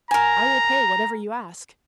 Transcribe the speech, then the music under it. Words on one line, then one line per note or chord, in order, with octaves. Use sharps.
"I will pay whatever you ask."
A#4 G#5 A#5